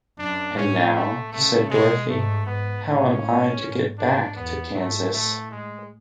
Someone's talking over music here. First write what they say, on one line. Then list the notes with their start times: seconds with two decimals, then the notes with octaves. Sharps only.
"And now," said Dorothy, "how am I to get back to Kansas?"
0.18 F#2 D4
0.57 A2 C#4
0.95 A3
1.32 C#3 A3
1.70 B2 G#3
2.09 G#2 A3
2.46 G#2 B3
2.85 A2 C#4
3.61 G#2
3.98 D4
4.36 E2 B3
4.74 G#2 A3
5.13 A2 A3
5.51 G#3